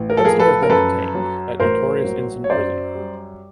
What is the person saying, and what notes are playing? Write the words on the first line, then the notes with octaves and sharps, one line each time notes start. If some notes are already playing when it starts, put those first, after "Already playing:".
Fenster has been detained at notorious Insein Prison.
Already playing: A1
A#4
A4
F3 G#4 A#4
A4 B4
A#4
F#2 A4 B4
F#3
A1 A#4 C5
F#3
C#5
F#2 C5 D5
G3